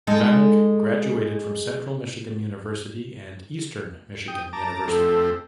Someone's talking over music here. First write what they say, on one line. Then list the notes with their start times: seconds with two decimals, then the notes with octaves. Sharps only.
Vanek graduated from Central Michigan University and Eastern Michigan University.
0.07 G#3 D#4 A4
4.28 G5 D#6
4.53 A5 A#5 D6
4.87 F2 A3 C4 A4